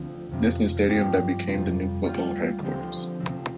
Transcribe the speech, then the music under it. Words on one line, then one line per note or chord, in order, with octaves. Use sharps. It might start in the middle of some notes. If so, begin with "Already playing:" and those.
This new stadium that became the new football headquarters.
Already playing: D2 D3 F3 C4
F2 C3 F3
G2 F3 C4 G4
F2 C3 G3 F4
D2 D3 G3 F4
D3 F3 C4 G4 C5
D2 C3 F3 C4